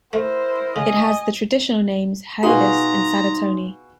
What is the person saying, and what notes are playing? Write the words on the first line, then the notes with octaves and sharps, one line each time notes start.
It has the traditional names Haedus and Sadatoni.
A3 E4 A#4 C5
C#3 D#5 G#5
B2 D#4 F4 G#4 A#5 C6